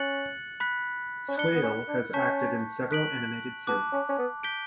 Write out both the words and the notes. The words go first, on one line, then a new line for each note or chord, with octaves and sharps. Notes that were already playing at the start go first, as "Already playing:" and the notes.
Swaile has acted in several animated series.
Already playing: C#4 F#6 A6 C#7 F#7
B5 F#6 B6
C#4
D4 F#6 C#7 G7
B3
C#4
D4
C#4 A5 C#6 G6 B6
F#6 B6 D7 F#7
B3 A5 D6 F#6
C#4
C#4
B3
G6 B6 D7 G7